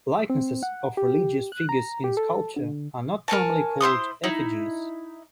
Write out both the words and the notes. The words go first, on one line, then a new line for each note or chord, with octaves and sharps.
Likenesses of religious figures in sculpture are not normally called effigies.
C4
F#5
G4
F#6
A#5
G4
A4
D3
A#4 C#5 G#5 A5
E4 C5 C6 D#6
D#4 E4